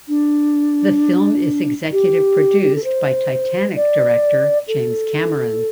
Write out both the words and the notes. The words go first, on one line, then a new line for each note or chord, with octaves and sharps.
The film is executive produced by "Titanic" director James Cameron.
D4
G4
A4
C5
D5
A4